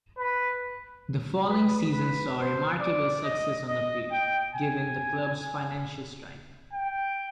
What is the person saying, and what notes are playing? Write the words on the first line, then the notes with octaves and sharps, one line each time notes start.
The following season saw remarkable success on the field, given the club's financial strife.
B4
B4
B4
C5
D5
D#5
D#5
G5
G#5
G5